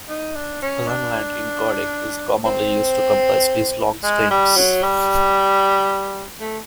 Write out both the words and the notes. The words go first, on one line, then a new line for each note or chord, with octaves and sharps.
Run-length encoding is commonly used to compress these long streams.
D#4
D4
C#4
D4
C4
G#3
G3
F#3
G3
A3